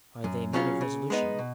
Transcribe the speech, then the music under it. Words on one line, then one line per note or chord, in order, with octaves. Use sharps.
"Are they men of resolution?"
F#2
C#3 F#3 C#4 F4
C#3
G#3 B3 D#4
B2